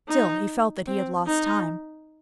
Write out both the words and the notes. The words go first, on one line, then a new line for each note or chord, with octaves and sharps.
Still, he felt that he had lost time.
D#4
C4
D#4